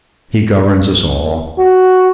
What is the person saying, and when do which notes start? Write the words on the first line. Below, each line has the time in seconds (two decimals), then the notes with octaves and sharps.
He governs us all.
1.58 F#4